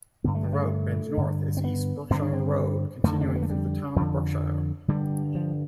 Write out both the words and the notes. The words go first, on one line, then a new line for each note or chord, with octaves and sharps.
The route bends north as East Berkshire Road, continuing through the town of Berkshire.
G2 D3 B3
A3
G3
A3
G2 D3
C4
B3
G2 D3 C4
D4
C4
F2 D3 A3
D4
C4
B3
A3
G3
F2 D3 F3
G2 D3 G3
F3